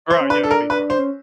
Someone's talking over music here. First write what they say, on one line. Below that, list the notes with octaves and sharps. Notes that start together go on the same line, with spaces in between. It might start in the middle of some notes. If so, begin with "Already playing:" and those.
Right, yeah, it'll be fun.
C5
C#4
D4 B4
A4
A#4
B4
C5
C#4